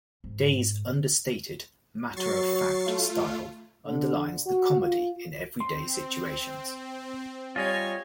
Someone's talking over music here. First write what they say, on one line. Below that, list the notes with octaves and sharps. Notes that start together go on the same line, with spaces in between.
Day's understated, matter-of-fact style underlines the comedy in everyday situations.
G#2
F#3 C#6 A6 C7
A3 F4
D3
F#4
F4
C4 C6
G3 F4 C#5 D#5 G#5